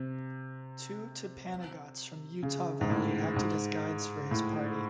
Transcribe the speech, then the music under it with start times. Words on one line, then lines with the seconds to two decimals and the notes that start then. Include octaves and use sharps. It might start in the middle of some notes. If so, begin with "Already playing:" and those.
Two Timpanogots from Utah Valley acted as guides for his party.
Already playing: C3
2.43 C#3
2.81 G#2
2.90 A2
3.36 G#2
4.31 A2